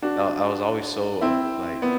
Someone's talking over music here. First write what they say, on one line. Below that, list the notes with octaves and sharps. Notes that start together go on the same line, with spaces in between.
I I was always so ob like
D4 F#4
C4 E4
B3